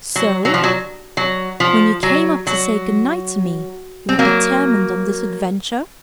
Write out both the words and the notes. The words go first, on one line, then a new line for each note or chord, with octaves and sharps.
So--when you came up to say good-night to me--you had determined on this adventure?
F#3
F#3
F3
F#3
F#3
F3
F#3
F#3
C4
F#3 A#3